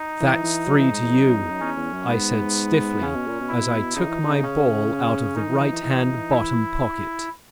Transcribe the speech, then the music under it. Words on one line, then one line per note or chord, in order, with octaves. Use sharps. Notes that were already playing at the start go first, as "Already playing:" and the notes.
"That's three to you," I said stiffly, as I took my ball out of the right-hand bottom pocket.
Already playing: D#4
E3
E3
F#3
E3
G#2
E2
F#2
F#2
E2
F#2
E2 C#4
E2
F#2
G#2 B3
C#3 C#4
B2
A#2
B2
E4
C#3 D#4
E3
D#3
C#3
C#3 C#4
D#3 D#4
E3
E3
E3
E3
E4